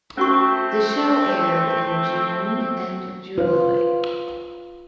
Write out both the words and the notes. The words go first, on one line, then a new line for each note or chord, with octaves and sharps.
The show aired in June and July.
A3 C4 C#4 F#4 C#6
F4 B4 C5